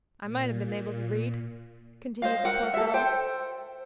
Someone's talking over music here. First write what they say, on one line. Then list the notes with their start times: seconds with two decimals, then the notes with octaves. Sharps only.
"I might have been able to read," continued the poor fellow.
0.23 A#2
2.22 C5 D#5 F5
2.45 A#4 F#5
2.74 A4 E5
2.94 C5 G5